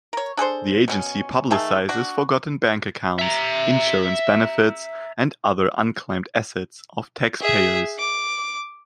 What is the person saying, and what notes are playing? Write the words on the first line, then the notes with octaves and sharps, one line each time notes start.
The agency publicizes forgotten bank accounts, insurance benefits and other unclaimed assets of taxpayers.
A#4 C#5
D4 G#4 A4 C5
B2 B3 C#4
D#3 A3 G#4 A5
D4 F#4
E5 A#5
G#4 E5
D6